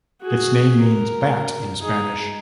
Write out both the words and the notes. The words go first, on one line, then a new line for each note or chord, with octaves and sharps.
Its name means bat in Spanish.
F#4 G#4
A#4
D#4 G#4